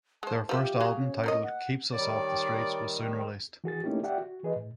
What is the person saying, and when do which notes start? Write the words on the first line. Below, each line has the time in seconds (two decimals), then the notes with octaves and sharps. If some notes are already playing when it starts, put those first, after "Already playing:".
Their first album, titled "Keeps Us Off the Streets", was soon released.
0.23 G#3 C5 A5
0.49 F3 G4 B4 E5
0.80 F#4 G#4 F5
0.99 C#4
1.24 A#3 A#4 D#5
1.43 F#5
1.93 D#3 G3 C#5 D5
3.64 E3 F#4 G#4 A6
3.84 A3 A#3 C#4 D#4 E4 G4
4.03 G4 D5 E5 F#5 G5
4.18 F#4
4.43 E3 G#4 B4 D#5
4.56 A2